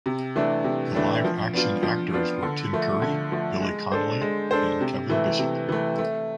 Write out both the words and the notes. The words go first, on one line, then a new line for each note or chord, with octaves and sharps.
The live-action actors were Tim Curry, Billy Connolly, and Kevin Bishop.
C3
E3 A3 D4
C3
E3 A3 D4
F3
B3 D4 F4
F3
B3 D4 F4
D3
F3 A3
D3
F3 A3
G#3
D4 A4 C5
G#3
D4 A4 C5
C3
E3 A3
C3
E3 A3
A3